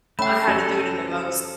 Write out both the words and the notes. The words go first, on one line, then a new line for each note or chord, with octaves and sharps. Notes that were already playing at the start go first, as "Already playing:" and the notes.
I had to do it in the most
A3 C#4 G5 B5
F#2 F#3 G3 A4